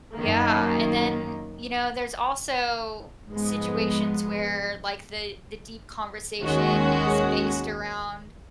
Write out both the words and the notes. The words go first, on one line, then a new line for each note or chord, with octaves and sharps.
Yeah, and then, you know, there's also situations where, like, the the deep conversation is based around,
F#2 D#3 A#3
G#2 F3 G#3 B3
D#2 D#3 G#3 C#4 F#4